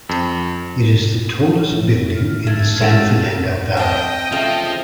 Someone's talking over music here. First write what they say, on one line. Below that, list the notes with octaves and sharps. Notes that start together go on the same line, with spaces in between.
It is the tallest building in the San Fernando Valley.
F2
A2
F6
A3 G#6
G#3 A3 C#4 F5
F3 C4 D#5 G5
C#3 F3 A3 F5